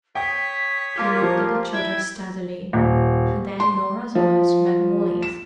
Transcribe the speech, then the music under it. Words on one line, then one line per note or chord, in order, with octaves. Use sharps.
They looked at each other steadily: and then Norah's eyes met Wally's.
C#5 G5 C#6 D#6 B6
A#3 F4 G4
F3
E4 E5 G5 E6 G#6
D#1
C6
F3
E7